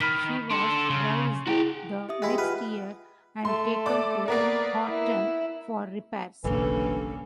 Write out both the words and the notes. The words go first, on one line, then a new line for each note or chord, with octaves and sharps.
She was raised the next year and taken to Horten for repairs.
D#3 B5 F6 B6
D4 A4 C6 C#7
C#3
E4 F#4 G#4 G5
G4 E5 D#6
G#3 E4 G5
F4 B4 F#5 F6
A3 C6
D5 D6
A#3 B3 A#4 D5
E4
F#1 B1 G2 C#3 E3 A#3 A4